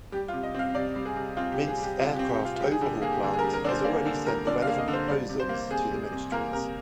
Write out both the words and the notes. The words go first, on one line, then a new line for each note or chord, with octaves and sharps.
Minsk Aircraft Overhaul Plant has already sent the relevant proposals to the ministries.
G3 G4
F4
C3
D#5
C4 F5
C3 D5
G3
G#4
C3
C4 F4
G4
C3
G#4
G3
G4
C3 F4
G4
C4
G4
C3 F4
F4
G3 G4
G#4
D3 G4
A#3 G#4
G4
D3 G#4
G#4
A#4
G3
A#4
D3 C5 D5
A#3 D5
D3
G3 A#4
D3 D5
F5
A#3
D#5
D3
C5
G3 D5
C3
C5
A#3
C3 G#4
G3
C3
A#3 A#4
C3 A#4